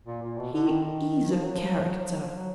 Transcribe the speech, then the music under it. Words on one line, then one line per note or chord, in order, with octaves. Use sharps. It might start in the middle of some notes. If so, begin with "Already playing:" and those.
"He is a character!"
A#2
A#2
B2
D3
D#3
F3
F#3
F3
F#3
F3
F#3
F3
F#3
F3
F#3